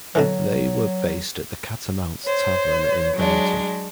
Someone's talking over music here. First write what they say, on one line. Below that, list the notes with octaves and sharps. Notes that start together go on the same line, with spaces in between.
They were based at the Catamount Tavern in Bennington.
B2 D3 E3 F#3
C5 C#5
F#3 G#3 D4